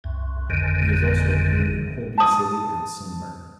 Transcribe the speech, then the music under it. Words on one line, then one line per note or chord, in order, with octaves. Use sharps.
He has also appeared in "Holby City" and "Sunburn".
C2 F#2
G#1 F2 D3 D#3
A5 D#6